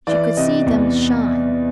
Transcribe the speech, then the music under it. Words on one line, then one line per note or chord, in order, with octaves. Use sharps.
She could see them shine.
E3 D5
C3 D#5
E2